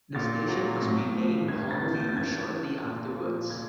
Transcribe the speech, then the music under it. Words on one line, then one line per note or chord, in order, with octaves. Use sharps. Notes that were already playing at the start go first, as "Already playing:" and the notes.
The station was renamed Holmview shortly afterwards.
A#2 A6
F#3
A2
F3
G2 G#6
A6
E3
G6
A6
G2 G#6
E3
A#2
F3
A#2 G#6